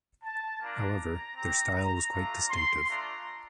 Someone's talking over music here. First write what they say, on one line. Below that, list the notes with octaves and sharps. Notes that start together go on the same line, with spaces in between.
However, their style was quite distinctive.
A5
A#3 D4 F4 A#5
C4 G4 A#5
A#5
A3 D4 F4 A#5
C6
A3 D4 F4 A#5